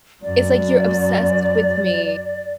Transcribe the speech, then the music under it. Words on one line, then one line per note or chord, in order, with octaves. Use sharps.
It's like you're obsessed with me."
F#2 F#3 D5